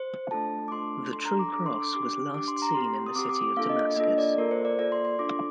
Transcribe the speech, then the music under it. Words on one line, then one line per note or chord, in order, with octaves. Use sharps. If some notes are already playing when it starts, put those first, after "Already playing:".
The True Cross was last seen in the city of Damascus.
Already playing: C5
A3 D4 F4 A4 A5
D6
A3 D4 F4 A4 C6
D4 A4 C6
A#5
D6
D4 A4 D6
C6
D6
D4 G4 D6
D4 G4 D6
C6
A#5
C4 G4 C6
D#6
C4 G4 D6
D6
D6
A#3 D4 F4 A4 F5
D#5
A#3 D4 F4 A4 D#5
D5
A#3 F4 A4 A#4
C5
D5
A#3 F4 A4 D5
C6
C6
D4 F4 A4 D6